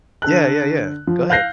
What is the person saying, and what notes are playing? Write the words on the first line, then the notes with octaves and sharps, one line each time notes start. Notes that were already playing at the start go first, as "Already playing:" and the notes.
Yeah, yeah, yeah. Go ahead.
D3 A4 F#6
F3
F5 F#6 G6 A#6 C7